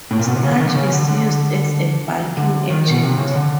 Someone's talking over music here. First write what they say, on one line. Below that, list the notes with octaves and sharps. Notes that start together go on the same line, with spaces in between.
Starch is used as a bulking agent.
A2
A#2
B2
C3
C#3
D3
D#3
D3
C#3
D3
D3
D3
D#3
B2
C3
C#3
D3